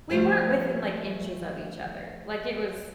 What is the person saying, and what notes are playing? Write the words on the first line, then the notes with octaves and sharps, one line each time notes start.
we weren't within, like, inches of each other, like, it was
F3 G3 A3 C5 G#5